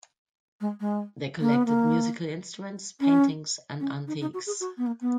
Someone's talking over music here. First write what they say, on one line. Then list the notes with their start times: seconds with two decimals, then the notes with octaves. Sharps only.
They collected musical instruments, paintings and antiques.
0.61 G#3
0.80 G#3
1.40 A#3
1.53 B3
1.65 A#3
3.00 C#4
3.80 C#4
4.08 D#4
4.21 D#4
4.34 F#4
4.46 G#4
4.60 F#4
4.77 B3
4.86 A#3
5.01 B3